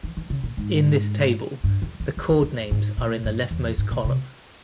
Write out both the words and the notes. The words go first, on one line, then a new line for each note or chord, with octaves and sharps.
In this table, the chord names are in the leftmost column.
E3
E3
C#3
A#2
G#2
G2
F2
E2
F2
E2
F2
G#2
A#2
G2
E2
G#2
A#2
C3